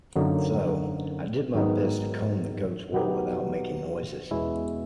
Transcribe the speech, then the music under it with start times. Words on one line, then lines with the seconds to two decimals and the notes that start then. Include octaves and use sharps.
So I did my best to comb the goat’s wool without making noises.
0.16 F#2 D3 F#3 A#3 D#4
1.55 G#2 D#3 F#3 B3 D#4
2.92 B2 F#3 B3 D#4 G4
4.31 E2 B2 G#3 C#4 E4